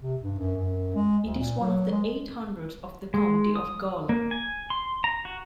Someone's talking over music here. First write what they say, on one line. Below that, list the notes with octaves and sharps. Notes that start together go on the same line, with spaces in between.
It is one of the eight hundreds of the County of Gawler.
C3
G2
F#2
F#2
G#3
D2
A#2
F#3
G#3
G#3
D#6
A#3
G#5
C6
A#5
F#4